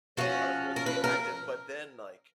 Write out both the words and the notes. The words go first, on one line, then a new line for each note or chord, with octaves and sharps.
and I was it was being active, but then, like,
F3 A3 C#4 F#4
A#4
B4
A#4